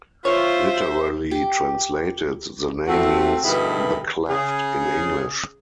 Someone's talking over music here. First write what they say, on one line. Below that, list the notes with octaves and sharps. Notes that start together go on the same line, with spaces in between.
Literally translated, the name means 'the cleft' in English.
F4 C5 C#5 E5
G4
A3 C4 F#4
D2 G2 B2 D#3 E4 G#4
C#3 G#4